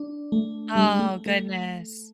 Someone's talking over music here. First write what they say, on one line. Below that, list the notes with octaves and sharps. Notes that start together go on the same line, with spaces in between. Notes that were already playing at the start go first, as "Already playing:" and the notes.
Oh goodness.
Already playing: D4
A3
G3
G#3
A3
A3